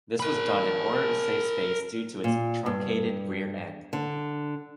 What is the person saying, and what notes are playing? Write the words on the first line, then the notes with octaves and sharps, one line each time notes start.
This was done in order to save space due to its truncated rear end.
A#4 B5
A#2
G2
D3